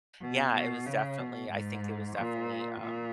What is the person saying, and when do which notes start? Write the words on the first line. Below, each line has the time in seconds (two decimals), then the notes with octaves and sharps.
yeah, it was definitely I think it was definitely, um,
0.21 B2
0.53 B2
0.86 C#3
1.19 B2
1.51 G#2
2.17 A#2
2.81 A#2